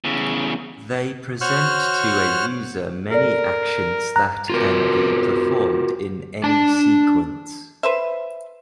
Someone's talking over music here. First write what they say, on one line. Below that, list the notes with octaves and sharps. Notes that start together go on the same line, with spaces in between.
They present to a user many actions that can be performed in any sequence.
E2 C#3
F#4 C5 C#5 C#6 F6 F#6
A4 A#4 D5
A#5 F#6
F4 F#4 A#4
D4 A5
B4 C5 E5